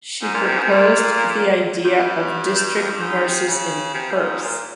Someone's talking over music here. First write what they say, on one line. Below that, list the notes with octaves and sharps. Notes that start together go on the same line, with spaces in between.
She proposed the idea of district nurses in Perth.
G#2
A#2
C3
G#2
C3
A#2
G2
F2
G2
G#2
C3
C#3
C3
G2
G#2
A#2